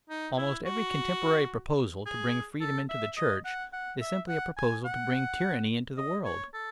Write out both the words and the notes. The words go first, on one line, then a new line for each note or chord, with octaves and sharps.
Almost every contemporary proposal to bring freedom into the church is simply a proposal to bring tyranny into the world.
D#4
E4
F#4
G#4
A4
E5
D#5
F#5
F#5
E5
F#5
G#5
F#5
D#5
C#5
A4